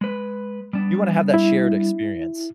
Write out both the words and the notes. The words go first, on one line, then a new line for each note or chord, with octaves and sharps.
You wanna have that shared experience.
G#3 B4
G3 B3 D4
E4